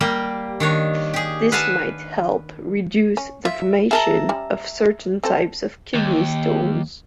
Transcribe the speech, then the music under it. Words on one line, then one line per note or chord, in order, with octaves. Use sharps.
This might help reduce the formation of certain types of kidney stones.
G3 A#3 G4
D#3 D4 C#5
G4 G#4
B4 F5 F#5 G#5 A5 B5
C#4
F4 E5
G#4 A#4 E5 A5 A#5
G3 C#4
C4 A4 C5
D#2